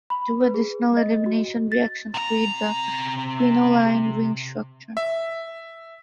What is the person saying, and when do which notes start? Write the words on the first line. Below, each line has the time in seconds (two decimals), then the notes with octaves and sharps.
Two additional elimination reactions create the quinoline ring structure.
0.10 B5
0.41 B4
0.54 G#4
0.97 D#5
1.26 F#4
1.72 A6
2.14 C3 A#5
4.97 E5